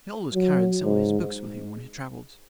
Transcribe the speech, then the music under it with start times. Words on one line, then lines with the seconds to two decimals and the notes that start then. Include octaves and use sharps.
He always carried some of his books with him when he traveled.
0.34 F#3
0.83 G#2